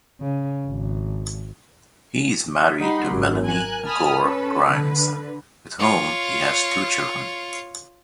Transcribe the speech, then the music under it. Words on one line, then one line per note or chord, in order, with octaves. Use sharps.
He is married to Melanie Gore-Grimes, with whom he has two children.
C#3
G#1
G3 D#4 G4 F#5 B5 C6
G#1 F#2
A#4 G#5 F#6
G#5 A5 B5 D#6 F6
C#4 A4 B4
D3 B4
F4 C#5